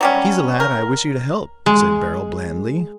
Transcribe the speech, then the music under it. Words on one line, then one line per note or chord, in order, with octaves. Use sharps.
"He is a lad I wish you to help," said Beryl, blandly.
F#3 G3 C#4
A#4
G#3